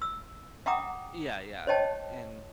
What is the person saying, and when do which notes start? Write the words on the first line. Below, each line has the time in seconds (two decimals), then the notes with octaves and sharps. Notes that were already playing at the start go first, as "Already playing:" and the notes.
Yeah, yeah, and
0.02 E6
0.66 E5 F#5 G5 A#5 D6 D#6
1.67 C5 C#5 D#5 G5 A5